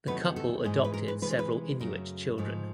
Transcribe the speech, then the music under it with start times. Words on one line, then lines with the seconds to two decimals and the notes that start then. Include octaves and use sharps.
The couple adopted several Inuit children.
0.07 E2 C3 D#3 F#3 A3 B4
0.36 A4
0.64 G#2 E3 G#3
0.84 B4
0.94 A#4
1.08 B4
1.22 C3 E3 G#3 B4
1.31 C5
1.39 B4
1.80 F#2 C#3 F#3 A3 A#4
2.38 G#2 F3 A3